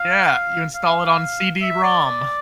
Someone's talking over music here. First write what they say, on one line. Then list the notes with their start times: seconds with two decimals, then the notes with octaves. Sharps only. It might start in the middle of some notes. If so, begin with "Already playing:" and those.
Yeah, you install it on CD-ROM.
Already playing: F5
0.75 F5
1.61 E5
1.83 D5
2.06 D5